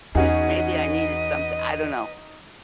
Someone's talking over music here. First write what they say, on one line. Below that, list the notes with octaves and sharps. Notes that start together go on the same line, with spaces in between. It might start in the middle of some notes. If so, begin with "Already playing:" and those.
just, maybe I needed something I don't know.
E2 C#4 D#4 F#4 G#4 B4 D#5